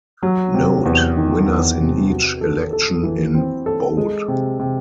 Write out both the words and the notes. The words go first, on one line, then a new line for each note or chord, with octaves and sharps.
"Note: winners in each election in" bold.
F#3
C3
E2
D#3
E2
C3
F#4
A4
A4
E3
C4
A4
G#3
C3
C3